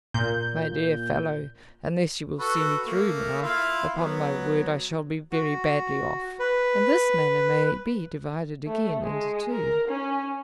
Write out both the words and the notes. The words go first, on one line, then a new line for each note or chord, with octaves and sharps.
"My dear fellow, unless you will see me through now, upon my word I shall be very badly off." And this manner may be divided again into two.
A#2 G6
F#4 A4 B4
A3 A#3
E4 F4 F5
F#3 B3
F#4
B4
A3
G#3
A#4
C#4